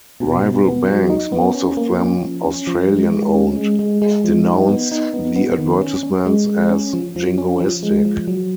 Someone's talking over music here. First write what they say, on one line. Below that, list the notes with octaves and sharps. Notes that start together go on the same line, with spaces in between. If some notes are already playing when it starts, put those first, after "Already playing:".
Rival banks, most of them Australian-owned, denounced the advertisements as jingoistic.
B2
B2
B3
F#3
D#4
B3
C#4
A#3
C#4
F3
C#4
F3
G#3
G#3
C#4
G#3
G#3
G#3
F3
D#4
B3
D#4
B3
B3
D#3
C#4
C#4
G#3
G#3
C#4
F3
F3
C#4
F3
G#3
F3
F#3